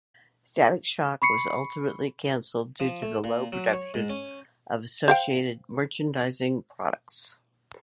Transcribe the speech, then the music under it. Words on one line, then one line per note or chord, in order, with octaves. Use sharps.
"Static Shock" was ultimately cancelled due to the low production of associated merchandising products.
B5 C#6 C7 C#7
F3
A3
A#2
F#3
C#5
G#2
C#4
C5 F5 G5